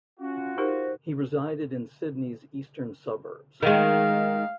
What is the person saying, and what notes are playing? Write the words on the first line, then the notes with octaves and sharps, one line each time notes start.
He resided in Sydney's Eastern Suburbs.
C#4 F4 F#4
D#4 G4 A#4 C5
D#3 G#3 F5